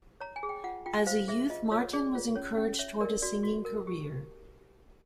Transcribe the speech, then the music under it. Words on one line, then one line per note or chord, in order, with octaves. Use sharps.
As a youth Martin was encouraged toward a singing career.
C#5 A#5
G#5
G#4
G5
F4 F#5
F4 G5
C5 F5
G#4 E5
F4 D#5
F4 C#5
G#4 D5
F4
C#4 C#5
C#4
C#5 E5
A#4 D5
F#4 D5
F#4
A#4
G4